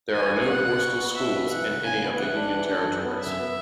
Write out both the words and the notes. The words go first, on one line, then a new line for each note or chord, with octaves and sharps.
There are no borstal schools in any of the union territories.
E3 G#5
E3
B3 F#5
C#3
F#4
B3
B2 E5
B3
E3 F#5
C#3
C#3 G#5
B3
E3 F#5
D4
E3
D4
F#2
B3
F#2 E5
B3